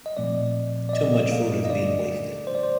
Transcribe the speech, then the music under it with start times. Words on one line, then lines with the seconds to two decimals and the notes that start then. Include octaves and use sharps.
Too much food is being wasted.
0.06 D#5
0.17 A#2 F3 A3 C4 D5
0.89 D5
0.93 D#5
1.13 D#5
1.31 F5
1.51 D#5
1.65 D#5
1.70 D3 A3 D4 D5
2.47 C5
2.55 D5
2.63 C5